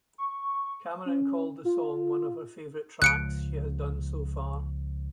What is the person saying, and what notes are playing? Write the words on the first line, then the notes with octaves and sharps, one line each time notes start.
Cameron called the song "One of her favourite tracks she has done so far".
C#6
C#4
F4
C#2 F3 F#6 C#7 D7